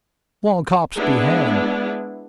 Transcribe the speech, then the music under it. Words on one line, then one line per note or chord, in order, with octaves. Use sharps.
Small cops be hanged!
G#3 B3 D4 E4